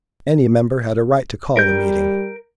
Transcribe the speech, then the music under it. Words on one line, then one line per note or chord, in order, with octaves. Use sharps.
Any member had a right to call a meeting.
G3 A#4 G6